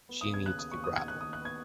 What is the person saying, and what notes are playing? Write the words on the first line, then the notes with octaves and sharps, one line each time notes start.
She needs the gravel.
B3
D#6
C#3
G#6
D#2 F#6
B3 D#6
C#6
D#2
D#6
D#4 G#6
D#2 F#6
D#6
D#2
F#6
B3 G#6